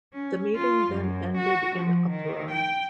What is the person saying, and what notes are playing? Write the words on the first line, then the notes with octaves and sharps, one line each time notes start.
The meeting then ended in uproar.
C#4
F4
F#2
F#4
F3
D#3
G5